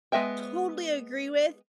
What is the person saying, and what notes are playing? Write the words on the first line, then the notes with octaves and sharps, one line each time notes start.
totally agree with,
G#3 B3 D#5 E5 G5